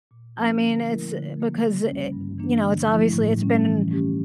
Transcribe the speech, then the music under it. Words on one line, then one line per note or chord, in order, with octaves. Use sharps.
Eh, I mean, it's, eh because, eh you know, it's obviously it's been,
A#2
F3 A#3 C#4
D3
F3 A3 E4 A#4
D3
F3 A#3
C#3
G3 C#4
G2
E3 A#3 D4
D3
F3 A3 E4
A2
G3 C#4
E3
A3 C#4 G4